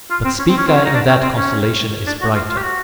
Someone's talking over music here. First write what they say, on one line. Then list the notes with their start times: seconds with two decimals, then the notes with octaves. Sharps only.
But Spica in that constellation is brighter.
0.10 F4
0.25 C4
0.39 C#4
0.49 C4
0.58 C#4
0.67 C4
0.76 C#4
0.86 D#4
0.94 D4
1.09 C#4
1.22 C4
1.37 C#4
2.07 D4
2.21 F#4
2.35 F4
2.50 F4
2.57 G4
2.63 F#4